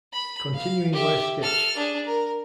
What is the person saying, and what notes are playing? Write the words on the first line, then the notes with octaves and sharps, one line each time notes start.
Continuing where Stitch!
B5
F5
G4 E5
A4 F6
D4 G#4
A#4